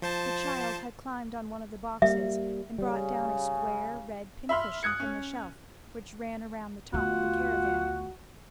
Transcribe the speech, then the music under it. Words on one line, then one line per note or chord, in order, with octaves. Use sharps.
The child had climbed on one of the boxes, and brought down a square red pincushion from the shelf which ran round the top of the caravan.
F3 C5 A5
G3 A#3 E5
C#3 G3
E5 B5 C6 F6
D#6 F#6 G#6 C#7
C#4
D2 B3 F4 F#4 F#5